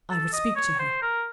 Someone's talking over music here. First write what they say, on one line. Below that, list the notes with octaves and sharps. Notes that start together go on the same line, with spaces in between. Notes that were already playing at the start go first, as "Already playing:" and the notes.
I would speak to her.
A4
D#5
C#5
C5
A#4